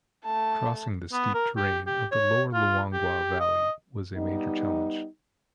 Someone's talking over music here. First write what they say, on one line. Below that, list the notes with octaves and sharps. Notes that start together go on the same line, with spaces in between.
Crossing the steep terrain of the lower Luangwa valley was a major challenge.
A3 A5
B3
A#4
G4
G4
C#5
F4
G4
D#5
G3 B3 D#4